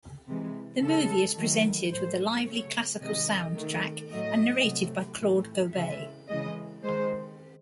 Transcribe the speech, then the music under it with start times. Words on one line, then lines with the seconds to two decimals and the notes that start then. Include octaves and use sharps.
The movie is presented with a lively classical soundtrack and narrated by Claude Gobet.
0.27 C3 E3 G#3
0.82 C#3 G#3 A4
1.37 D#3 F#3 A3
1.91 A2 F#3 A3 C5
2.46 C#3 F#3 A3 C#5
3.00 C3 D#3 G#3 D#5
3.55 D#3 A3
4.10 A2 F#3 A3 D#5
4.64 C3 F#3 A3
5.19 A2 E3 A3
5.74 C#3 E3 G#3 E5
6.28 C#3 E3 G#3 D#5
6.83 D#3 G#3 C5